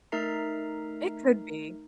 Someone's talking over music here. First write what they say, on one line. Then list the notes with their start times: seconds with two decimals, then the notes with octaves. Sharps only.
It could be.
0.12 A3 D#4 A#4 E5 A#5 C7